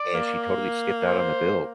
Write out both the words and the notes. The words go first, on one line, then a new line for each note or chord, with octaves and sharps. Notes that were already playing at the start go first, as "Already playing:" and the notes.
and she totally skipped out on the bill,
Already playing: D5
A#3
C5